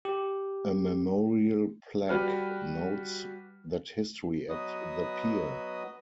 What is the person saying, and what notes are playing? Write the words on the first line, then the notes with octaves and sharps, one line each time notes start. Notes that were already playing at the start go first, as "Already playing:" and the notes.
A memorial plaque notes that history at the pier.
G4
G3 F#4 B4 F6
F#3 B3 F#4 B4 D#5 D#6